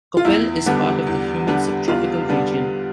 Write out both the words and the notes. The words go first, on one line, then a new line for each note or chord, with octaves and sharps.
Coppell is part of the humid subtropical region.
F4
E2 E4
D3 G3 B3 D4
E2
D3 G3 B3 D4
E2 F4
D3 G3 B3 D4